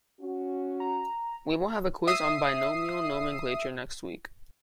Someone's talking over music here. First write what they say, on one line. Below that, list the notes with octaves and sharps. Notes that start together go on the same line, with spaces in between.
We will have a quiz on binomial nomenclature next week.
C#4 F#4
A#5
E5 D#6 C7